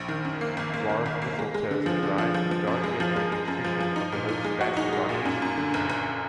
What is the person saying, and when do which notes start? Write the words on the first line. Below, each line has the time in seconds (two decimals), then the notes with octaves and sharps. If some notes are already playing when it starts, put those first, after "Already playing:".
Dwarf mistletoes derive the majority of their nutrition from the host's vascular tissues.
Already playing: A#1
0.08 D#3
0.25 F#2
0.41 A#3
0.57 G#1
0.74 A#3
0.89 D#3
1.06 G#1
1.22 A#3
1.39 G#3
1.54 G#3
1.71 D3
1.86 F3
2.03 D3
2.18 F3
2.34 F3
2.51 F3
2.67 F#2
2.84 G#3
3.00 F3
3.16 G#3
3.32 G#3
3.48 F#2
3.64 F3
3.81 F3
3.96 D#4
4.12 A#2
4.29 D#4
4.44 G#3
4.61 F#4
4.77 D#4
4.93 G#3
5.09 A#2
5.25 F#2
5.42 F#2
5.57 D3
5.74 F#1
5.90 F#1